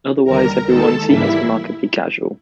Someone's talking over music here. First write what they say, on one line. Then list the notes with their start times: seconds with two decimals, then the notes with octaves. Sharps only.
Otherwise every one seems remarkably casual.
0.24 D#2 D3 G3 A#4 A#5
0.66 D#2 D#3 G#3 A4 A5
1.06 G#2 E3 G3 A#3 E4 E5